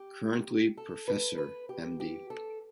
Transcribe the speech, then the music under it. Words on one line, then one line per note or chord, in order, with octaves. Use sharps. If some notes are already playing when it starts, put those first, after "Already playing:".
Currently Professor Md.
Already playing: G4
A4
B4
B4
G4
G4
A4